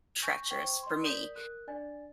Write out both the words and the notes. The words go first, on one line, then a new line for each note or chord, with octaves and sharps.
treacherous for me,
G#5 C#6 G6 A#6
C5 F#5 G5 C#6 G#6
D#5 C6
A#4 D5 D#6 G6 B6
A#4 F#6
D4 D5 G#5 A6